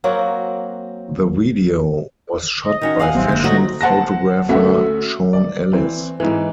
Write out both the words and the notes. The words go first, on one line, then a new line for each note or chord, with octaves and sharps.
The video was shot by fashion photographer Sean Ellis.
F#3 A#3 C4 F#4
D#5
D#3 C#4 F#4
F5 F#5 G#5
G#1 C3 F#3 G#3 B3 C4
F#2 D3 A#3 C5
D2 F#3 A3 F#4 D#5 A#5
C5 F#5 A5 A#6
D2 A3 C#4 F#4 E5
D5
E3 C4
G#2 E3